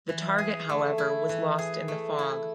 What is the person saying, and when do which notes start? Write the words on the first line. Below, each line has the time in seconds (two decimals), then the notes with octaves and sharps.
The target, however, was lost in the fog.
0.09 E3
0.38 G#4
0.69 A3
0.98 E4
1.29 E3
1.59 G#4
1.88 A3
2.19 E4